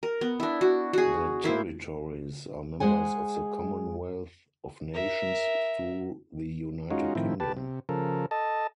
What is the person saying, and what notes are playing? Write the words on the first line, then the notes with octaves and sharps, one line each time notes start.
The territories are members of the Commonwealth of Nations through the United Kingdom.
A#4
B3
D4 E4
F#4
F#4 G#4
A#3 E4 C5
G#3 G#4 C5 F#5 G#5
A#4 E5
G#3 C#4 D#4 F4 F#4
A2 D#3 F3 C4 E4
G4 B4 A5
C3
C#3 F3 A4 A#4
A4 D#5 A5